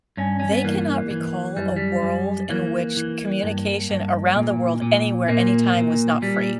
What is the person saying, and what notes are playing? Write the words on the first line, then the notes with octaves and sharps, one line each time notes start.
they cannot recall a world in which communication around the world anywhere, anytime was not free.
G2 C#4
C#4
B3
E3 A#3
E3
F#2 G3
G3
F#2
E3 A#3
E3
G2
G2
A#2
A#2
A#2 A#3
A#2
A#2 G3